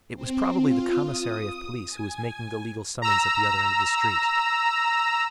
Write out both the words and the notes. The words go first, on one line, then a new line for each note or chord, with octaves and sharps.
It was probably the commissary of police who was making the legal summons at the other end of the street.
C4
F4
D#6
G#5
A#5 E6